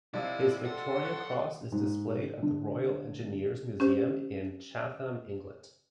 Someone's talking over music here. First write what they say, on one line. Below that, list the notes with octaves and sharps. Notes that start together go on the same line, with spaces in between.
His Victoria Cross is displayed at the Royal Engineers Museum in Chatham, England.
C3 F3 E4 D5 D#5 F5
A4 F#5 C6
C#6 F#6 C#7
G#2
D3
C#4 G4 C5